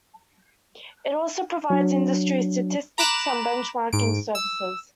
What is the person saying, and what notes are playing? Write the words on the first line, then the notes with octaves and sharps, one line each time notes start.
It also provides industry statistics and benchmarking services.
F#3 D4
A#5 B5 D6 F#6 E7
G#2 D7
E6